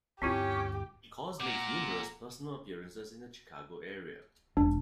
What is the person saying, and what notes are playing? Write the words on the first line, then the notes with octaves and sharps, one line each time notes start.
Koz makes numerous personal appearances in the Chicago area.
D2 G2 C4 C#4 E4 F4 G4
A#2 F#5 A#5 D6
E1 D4